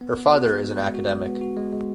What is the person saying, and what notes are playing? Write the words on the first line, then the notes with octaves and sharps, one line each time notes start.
Her father is an academic.
B3
B3
F#4
B3
G#3
G#3
F#4
G#3
B3
F#4
G#3
G#3